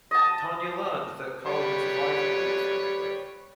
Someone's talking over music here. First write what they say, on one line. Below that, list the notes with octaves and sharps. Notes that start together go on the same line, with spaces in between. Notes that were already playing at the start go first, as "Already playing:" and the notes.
Tanya learned that Karl had survived the leap from the cliff.
D#5 A5
G3 B4 C#5